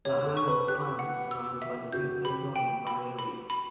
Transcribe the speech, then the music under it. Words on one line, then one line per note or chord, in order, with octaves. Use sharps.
The Isle of Pines is surrounded by the New Caledonia Barrier Reef.
G4 C#5
A4
C#6
B4
G4 F#6
F#5
E6
E5
F#4 G6
G4 B5
G5
B5
B5
B5